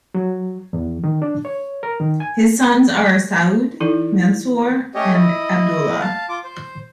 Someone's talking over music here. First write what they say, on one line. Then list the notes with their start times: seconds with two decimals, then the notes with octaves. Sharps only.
His sons are Saood, Mansoor and Abdulla.
0.14 F#3
0.73 E2
1.04 D#3
1.22 D4
1.45 C#5
1.83 A#4
2.00 D#3
2.20 G#5
3.80 E3 D#4 E4 A4
4.95 A3 C#4 G4 C#5 D#5
5.13 E4 D#5
6.01 F5 A5
6.29 F4 D6
6.44 C5